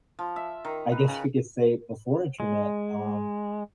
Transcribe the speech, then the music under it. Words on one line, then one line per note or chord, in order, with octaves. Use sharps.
I guess you could say before internet, um,
F3
E5
D#3
B4
C#3
G#3